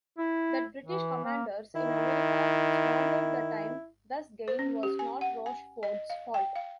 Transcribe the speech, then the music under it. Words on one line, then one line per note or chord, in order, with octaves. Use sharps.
That British commanders in America squandered the time thus gained was not Rochford's fault.
E4
E3
A#3
D#3 E4
C5
C#4
G4
G#5
F#5
G#5
D#5
F5
G5
F5